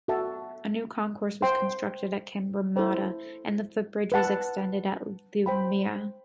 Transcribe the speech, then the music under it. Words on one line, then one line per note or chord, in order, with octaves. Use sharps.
A new concourse was constructed at Cabramatta and the footbridge was extended at Leumeah.
F#4 A4 E5 A5
C5 G5 C6
E4 A4 C5
B4 F#5 A5
C5 G5 B5